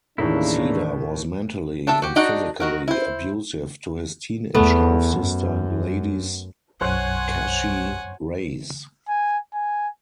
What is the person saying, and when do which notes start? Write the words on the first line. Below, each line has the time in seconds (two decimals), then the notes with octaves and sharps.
Seda was mentally and physically abusive to his teenage half-sister, Gladys "Chachi" Reyes.
0.18 D#2 A2 C#3 E3 A#3 D4 E4
1.87 D4 A4 E5 A5
2.02 F#4 G4
2.16 D4 D#4 F#4 D5 D#5
2.60 D#3 F#4 A#4
2.88 E4 C5
4.55 E2 A3 B3
5.18 F#2
6.81 B1 F#2 C5 C#5 F#5 G#5 F#6
9.08 G#5
9.54 G#5